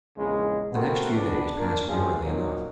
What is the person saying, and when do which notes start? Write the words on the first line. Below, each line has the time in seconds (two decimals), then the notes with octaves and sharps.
The next few days passed wearily enough.
0.17 A#1 E2 C#3 G#3
0.74 A3 B3 C4 F#4 A#4
1.14 C#2 B3 D4
1.58 A#3 D4 F4 A#4
1.87 F3 F#3 G#3 C4 F4 G#4
2.22 B1 F#2 A#2 F#3 D#4 A#4